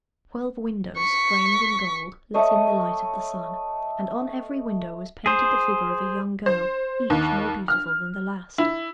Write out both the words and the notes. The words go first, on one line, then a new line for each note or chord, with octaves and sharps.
Twelve windows framed in gold let in the light of the sun, and on every window was painted the figure of a young girl, each more beautiful than the last.
C#6 B6
A3 C#5 D#5
G#4 C5
C5
D#2
F6
E4